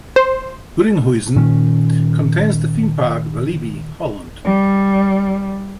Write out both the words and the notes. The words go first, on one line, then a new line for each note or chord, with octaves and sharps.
Biddinghuizen contains the theme park Walibi Holland.
C5
A#2 D#3 C#4
G3